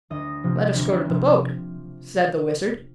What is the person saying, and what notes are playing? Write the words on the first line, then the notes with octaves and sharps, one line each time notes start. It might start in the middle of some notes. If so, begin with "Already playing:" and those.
"Let us go to the boat," said the Wizard.
D2 D#5
C3 F3
D2
C3 F3